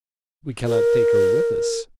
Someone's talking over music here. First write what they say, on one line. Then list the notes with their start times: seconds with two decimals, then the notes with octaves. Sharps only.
"We cannot take her with us."
0.67 A#4